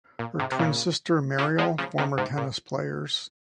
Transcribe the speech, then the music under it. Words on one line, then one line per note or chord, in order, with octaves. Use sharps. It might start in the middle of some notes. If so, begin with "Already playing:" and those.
Her twin sister Marielle former tennis players.
A#2
G#2 C3
C3
A#2 C#3
C#3 F3
F3 G#3
C#3 F3
C3 D#3
G#2 C3
A#2